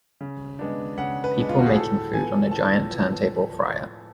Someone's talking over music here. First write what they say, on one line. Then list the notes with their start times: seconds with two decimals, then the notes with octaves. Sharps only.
People making food on a giant turntable fryer.
0.21 C#3
0.59 G#3 B3 D4
0.97 C#3 F#5
1.24 B4
1.36 G#3 B3 D4
1.49 F4
1.59 F#4
1.66 G#4
1.74 A2 A4
2.14 F3 B3 G#5
2.51 A2 A5
2.90 F3 B3